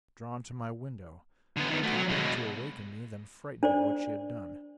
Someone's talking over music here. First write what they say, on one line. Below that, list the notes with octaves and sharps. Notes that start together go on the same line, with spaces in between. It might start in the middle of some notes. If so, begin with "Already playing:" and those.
Drawn to my window; tapping to awaken me, then frightened at what she had done.
D3 B3
D#3 B3
A3 F#4
F#3
B2 G#3
D4 C5 D5